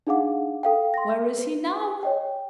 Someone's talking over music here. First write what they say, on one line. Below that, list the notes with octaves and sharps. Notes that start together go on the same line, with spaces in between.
"Where is he now?"
D4 D#4 G#4 F5 F#5 D6
A4 F5 G5
C6 A#6
B4
C#5 D#5 G5